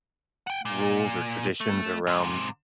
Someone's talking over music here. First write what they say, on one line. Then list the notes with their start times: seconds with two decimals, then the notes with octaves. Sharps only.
rules or traditions around
0.47 F#5 G5
0.65 A#2
1.61 A3
2.07 G#2 C3